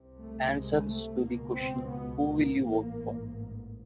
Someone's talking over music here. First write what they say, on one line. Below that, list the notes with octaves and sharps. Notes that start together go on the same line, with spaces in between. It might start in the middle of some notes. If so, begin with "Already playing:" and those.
Answers to the question, Who will you vote for?
Already playing: C2 C3
A3
G#3
A3
C#2 B2 A#3
C4
B3
A#3
A1 G#2